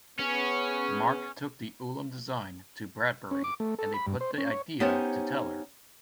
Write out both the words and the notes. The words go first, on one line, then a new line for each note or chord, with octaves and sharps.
Mark took the Ulam design to Bradbury, and they put the idea to Teller.
B3 C#4 G#4
C#4
D6
A3
A4
B5
G2
C5
C#4
C#5
B3 C#4 D#4 G4 C5 C#5